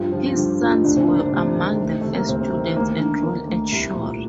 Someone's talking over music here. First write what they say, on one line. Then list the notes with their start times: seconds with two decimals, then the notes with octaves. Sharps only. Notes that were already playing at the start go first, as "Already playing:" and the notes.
His sons were among the first students enrolled at Shore.
Already playing: G2 F3 F4
0.12 D3 F3 F4
0.26 F4
0.36 D3 G3 G4
0.50 G4
0.60 G2 F3 F4
0.74 D#4
0.84 D2 D3 D4
0.96 C3 C4
1.08 C3 A#3
1.20 D3 D4
1.32 D2 C3 C4
1.56 D#3
1.80 D2
2.01 C3 A3
2.15 A#3
2.27 D2 C3 C4
2.52 D#3
2.76 D2 A#3
2.99 D3
3.23 D3 A#3
3.47 D2
3.72 C2
3.95 A#2